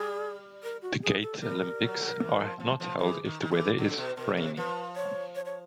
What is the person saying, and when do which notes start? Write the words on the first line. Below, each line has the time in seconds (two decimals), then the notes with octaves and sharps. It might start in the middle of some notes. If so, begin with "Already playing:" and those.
The Gatalympics are not held if the weather is raining.
Already playing: G3 G#4
0.63 A#4
0.82 F#4
1.03 G#4
1.22 A4
1.41 G3 A#4
1.81 F#3
2.20 E3
2.40 F3
2.60 F3
2.80 F3
2.99 E3 G#4
3.25 D#3
3.41 D#3
3.51 E3 A4
3.77 D3 A4
3.98 B2
4.17 B2 A#4
4.37 C3
4.57 F3 B4
4.96 C#5
5.35 C#5
5.45 C#5